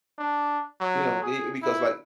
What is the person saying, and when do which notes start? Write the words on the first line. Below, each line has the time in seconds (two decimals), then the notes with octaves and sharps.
You know? B because, like
0.19 D4
0.80 F#3
1.23 G#4
1.63 E4